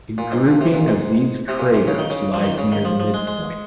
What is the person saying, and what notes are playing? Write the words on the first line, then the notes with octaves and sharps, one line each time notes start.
A grouping of these craters lies near the midpoint.
A#2
G#2
A#2
C3
A#2
G#2
C3
A#2
C3
C#3
D#3
C#3
F3
D#3
C#3
D#3
F3
F3
G#3
G#3